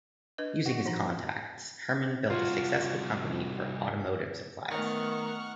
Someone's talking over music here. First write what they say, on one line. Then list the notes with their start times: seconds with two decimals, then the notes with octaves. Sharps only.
Using his contacts, Herrmann built a successful company for automotive supplies.
0.38 D4 B4 D#5
0.66 F#4
0.86 F3 D#4
2.30 C2 F4 F#4
4.70 D#3 A3 B3 F#5 C#6 F6